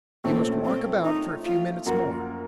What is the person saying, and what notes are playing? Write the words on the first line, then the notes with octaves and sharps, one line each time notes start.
You must walk about for a few minutes more.
A#1 A#2 A3 C4 C#4 A4
C4
D#4
F4
F#2 F3 A#3 F4 F#4 A#4